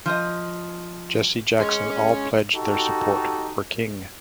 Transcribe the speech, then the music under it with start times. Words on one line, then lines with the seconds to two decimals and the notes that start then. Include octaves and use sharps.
Jesse Jackson all pledged their support for King.
0.06 F3 D#5
1.60 G#3 C#4
2.55 D#4 F#4 G4 A4